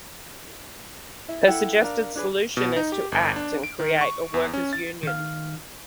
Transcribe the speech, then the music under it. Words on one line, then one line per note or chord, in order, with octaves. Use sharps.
Her suggested solution is to act and create a Workers' Union.
E4 E5
E4 A4 F#5 G5
D4 A#4 F5
D4 G#4 B4
B2
D#4
G4
G1
D4
D7
D#3
C#6
E2
C#4
A6
D#3 F5